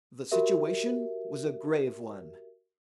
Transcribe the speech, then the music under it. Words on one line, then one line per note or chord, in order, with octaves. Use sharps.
The situation was a grave one.
F#4 G4 A#4 E5